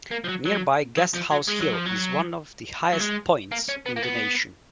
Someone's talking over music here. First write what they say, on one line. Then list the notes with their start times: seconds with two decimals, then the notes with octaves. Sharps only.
Nearby Guesthouse Hill is one of the highest points in the nation.
0.11 A#3
0.24 F3
0.29 F#3
0.45 F#3
0.97 F#3
1.14 F3
1.31 F#3
1.48 G#3
1.60 F#3
1.73 F3
1.85 F#3
2.93 F#3
3.00 G#3
3.52 A#3
3.69 C#4
3.86 B3
3.96 A#3
4.02 B3